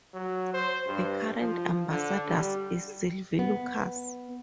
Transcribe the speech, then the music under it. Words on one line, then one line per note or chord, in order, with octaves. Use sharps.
The current ambassador is Sylvie Lucas.
F#3
C5
G2
F3
D3
G3
B3